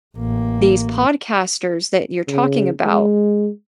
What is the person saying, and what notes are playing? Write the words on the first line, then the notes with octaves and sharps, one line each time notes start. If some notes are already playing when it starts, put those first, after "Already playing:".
these podcasters that you're talking about
A1 A#3
C#3
G#3